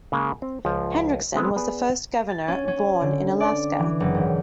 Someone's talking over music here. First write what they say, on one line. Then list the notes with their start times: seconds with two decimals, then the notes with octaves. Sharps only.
Hendrickson was the first governor born in Alaska.
0.12 C#3 G#3 A#3
0.42 C4
0.65 C#2 F3
1.35 G#3 B3 C4 A4
1.56 B3 G#4 D5
2.29 A6
2.48 C#4
2.68 C#4
3.01 D3
3.40 D5
3.79 E3
4.00 F#1
4.15 G#1